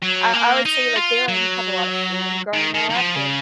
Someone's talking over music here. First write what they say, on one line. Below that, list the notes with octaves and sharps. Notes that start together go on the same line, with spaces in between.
I I would say, like, they let me have a lot of freedom growing up, and
F#3
A#3
D#4
F4
F#3
D#3
D#3
D#3
F3
C#3